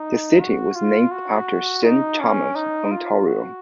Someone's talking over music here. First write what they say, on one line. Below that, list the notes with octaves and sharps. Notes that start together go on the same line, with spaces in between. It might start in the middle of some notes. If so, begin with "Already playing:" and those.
The city was named after Saint Thomas, Ontario.
Already playing: D#4
F#4
F4
F#4
D#4
C#4
D#4
F4
F#4